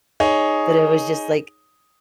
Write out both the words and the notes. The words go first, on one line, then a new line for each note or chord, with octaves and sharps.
but it was just like
D#4 G#4 C#5